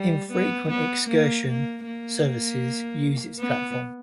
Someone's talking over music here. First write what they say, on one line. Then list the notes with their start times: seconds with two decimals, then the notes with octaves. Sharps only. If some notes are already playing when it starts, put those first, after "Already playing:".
Infrequent excursion services use its platform.
Already playing: G3
0.32 B3
0.70 B3
1.10 A#3
1.48 A#3
1.87 A#3
3.39 B3